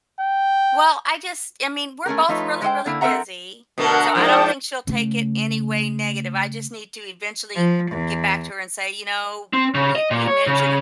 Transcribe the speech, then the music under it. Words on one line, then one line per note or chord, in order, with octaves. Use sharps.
Well, I just I mean, we're both really, really busy, so I don't think she'll take it any way negative, I just need to eventually get back to her and say, you know, "You you mentioned,
G5
A3 C#4 G#4 A#4
F3 A3 D#4 F4 B4 C#5
G#3 C5 D#5 G5
D3 A#3 E4
C4 A4 A#4 E5 F#5 A#5
B2 D3 A3 A#4 F#5
G#2 F3 D5 G5 A5
C#3 A3
F3
E2
C4
C#3
D#5
A#2
C#5
C#3